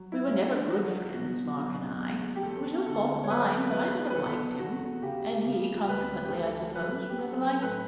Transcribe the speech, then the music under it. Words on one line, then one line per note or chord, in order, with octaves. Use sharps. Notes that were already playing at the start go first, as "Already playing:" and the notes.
We were never good friends, Mark and I. It was no fault of mine, but I never liked him; and he, consequently, I suppose, never liked me.
Already playing: F#3
E4
C#2
D4
F#3 F#4
B2
F#3
E2
G4
E2 A4
D3 A4
C#5
F#3 B4
E2 B4
B4
B2 A4
E2 F#4
C#3 G4
C#3
D2 B4
G4
D2 A4
A4
F#3 B4
G4
F#3 A4
A4
A2 B4